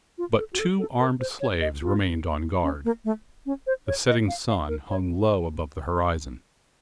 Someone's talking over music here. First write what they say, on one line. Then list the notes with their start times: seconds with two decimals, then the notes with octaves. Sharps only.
But two armed slaves remained on guard. The setting sun hung low above the horizon.
0.18 F4
0.38 A4
0.53 F#4
0.59 A4
0.79 A4
0.99 A#4
1.20 C5
1.40 C#5
1.61 D#5
1.82 F4
2.63 C#4
2.85 A#3
3.05 A3
3.46 C#4
3.67 C5
3.87 C#5
4.07 D#5
4.28 F5
4.48 F5
4.68 A#4
4.90 C#5